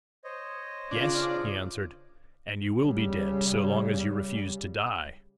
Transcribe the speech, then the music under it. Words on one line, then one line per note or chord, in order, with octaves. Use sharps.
"Yes," he answered; "and you will be dead, so long as you refuse to die."
C5 C#5 D#5
C#3 D4 F4
C#3 G3